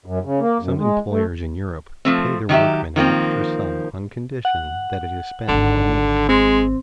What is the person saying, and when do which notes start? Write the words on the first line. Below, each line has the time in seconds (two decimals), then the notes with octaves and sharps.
Some employers in Europe pay their workmen an extra sum on condition that it is spent for meat.
0.06 F#2
0.25 C#3
0.40 A#3
0.60 F#2
0.78 G#3
1.10 A3
2.05 F3 A3 C4
2.49 D#3 F#3 G4 E5
2.96 D#3 F3 A#3 C4
4.45 F#5
5.49 D#1 G#1 D3
6.29 G#3 C4